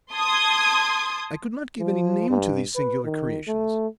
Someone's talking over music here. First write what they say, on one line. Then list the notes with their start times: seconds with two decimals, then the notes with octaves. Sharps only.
I could not give any name to these singular creations.
0.12 A5 C6 D#6 G#6
1.79 F3
2.30 G2
2.76 B4
3.04 D#3
3.47 A3